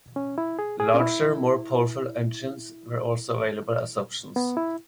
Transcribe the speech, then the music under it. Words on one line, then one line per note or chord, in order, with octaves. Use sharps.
Larger, more powerful engines were also available as options.
C#4
E4
G#4
G#4
C#4
E4
B3
E4